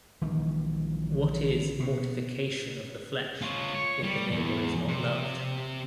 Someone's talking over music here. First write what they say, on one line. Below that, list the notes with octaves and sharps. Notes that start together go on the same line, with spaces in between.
What is mortification of the flesh if the neighbor is not loved?
A#1 D#3 E3 G3
B2
F4 C#5
C#5
G3
E2
C3